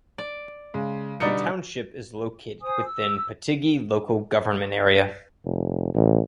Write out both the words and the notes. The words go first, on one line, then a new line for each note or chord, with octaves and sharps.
The township is located within Patigi Local Government Area.
D5
C#3 G#3
B2 D3 G3 D#4 D5 C#7
C5 G#5 D#6
E6
F1
A1